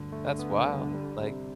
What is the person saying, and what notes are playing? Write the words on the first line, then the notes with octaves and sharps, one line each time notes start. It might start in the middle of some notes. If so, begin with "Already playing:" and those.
That's wild, like,
Already playing: D2 G2 D3
A3
B3
G2
G3
C3